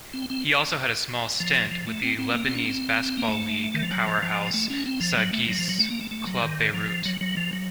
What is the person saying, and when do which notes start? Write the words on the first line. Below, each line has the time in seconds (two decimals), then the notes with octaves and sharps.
He also had a small stint with Lebanese Basketball League powerhouse Sagesse Club Beirut.
0.14 C4
0.30 C4
1.40 F3
1.71 F3
1.87 A3
2.03 C4
2.18 C4
2.34 A#3
2.45 C4
2.55 C#4
2.66 C4
3.17 A#3
3.28 A3
3.74 D#3
3.83 F3
3.91 F#3
4.07 F3
4.22 F3
4.54 A3
4.70 C#4
4.86 C4
5.01 F3
5.17 F#3
5.33 A3
5.48 F#3
5.59 F3
5.69 F#3
5.80 A3
5.90 A#3
6.01 A3
6.11 A3
6.27 F#3
6.42 D#3
6.74 F3
7.06 F#3
7.21 F#3
7.37 F3
7.53 F#3